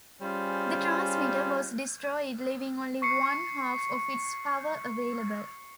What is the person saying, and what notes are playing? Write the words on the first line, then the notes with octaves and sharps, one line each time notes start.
The transmitter was destroyed, leaving only one-half of its power available.
G3 C#4 F4 G#4 C5
C#6 C7 C#7